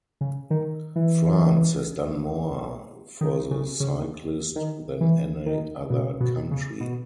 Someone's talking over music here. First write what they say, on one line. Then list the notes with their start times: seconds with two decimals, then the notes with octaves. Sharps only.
France has done more for the cyclist than any other country.
0.21 C#3
0.50 D#3
0.96 E3
3.21 D#3
3.51 C#3
3.80 C#3
4.56 D#3
5.01 E3
5.46 D#3
5.90 B2
6.20 B2
6.51 C#3
6.80 B2